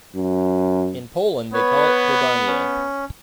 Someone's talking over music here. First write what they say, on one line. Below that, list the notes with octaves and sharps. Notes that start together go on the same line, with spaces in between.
In Poland they call it "Plebania".
F#2
B3 B4 C#5
C#4